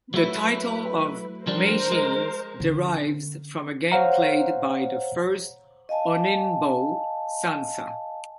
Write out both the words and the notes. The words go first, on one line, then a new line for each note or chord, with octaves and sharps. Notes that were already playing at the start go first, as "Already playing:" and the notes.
The title of "Meijin" derives from a game played by the first Honinbo, Sansa.
F#3 A3 E4 B4
F3 G3 D4 A#4 C5
G#3
D3 C#4
C5 C#5 F5 F#5 A#5
D#5 F5 G#5 A5